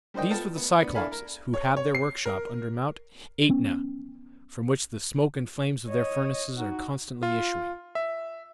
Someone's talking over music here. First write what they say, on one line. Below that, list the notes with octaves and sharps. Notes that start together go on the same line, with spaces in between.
These were the Cyclopes, who have their workshop under Mount Aetna, from which the smoke and flames of their furnaces are constantly issuing.
G3 D4 C5 D#5 G5
B3 F4 A4 G5 A5
B3
B3 D4
D4 E4 A4 F5 G#5 B5
A#4
C#5
C#5
C7
A#4
B3 C#4
C#5 D#5
D#4 F#4
F4
E5